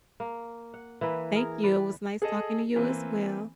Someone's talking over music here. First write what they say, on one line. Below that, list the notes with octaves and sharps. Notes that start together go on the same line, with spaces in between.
Thank you, it was nice talking to you as well.
A#3
F#5
E3 A#3 B4
G#4 A#4
B4 D5
G#4 A4 D#5
E3 A#3 C4